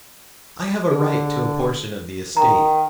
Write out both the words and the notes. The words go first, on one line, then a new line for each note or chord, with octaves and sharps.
"I have a right to a portion of the estate."
D3 G#4
D#3 A#5